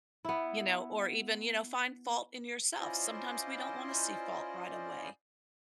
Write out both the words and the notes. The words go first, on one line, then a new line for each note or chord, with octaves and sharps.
you know, or even, you know, find fault in yourself. Sometimes we don't wanna see fault right away,
B3 E4
C#4 E4 F4 C5 D5 D#5